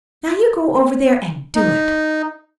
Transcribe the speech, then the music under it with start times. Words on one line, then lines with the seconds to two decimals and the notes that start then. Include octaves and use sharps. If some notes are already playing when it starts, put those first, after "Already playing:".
Now you go over there and do it!
1.55 D#4